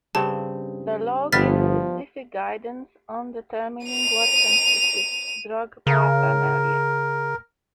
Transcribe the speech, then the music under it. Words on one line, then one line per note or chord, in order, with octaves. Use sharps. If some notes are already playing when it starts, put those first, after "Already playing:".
The law gives specific guidance on determining what constitutes drug paraphernalia.
G2 C#3 C4 A5
G1 F3 G3 B3 E4 F6 A6 B6
D#7 F7
C#3 A#4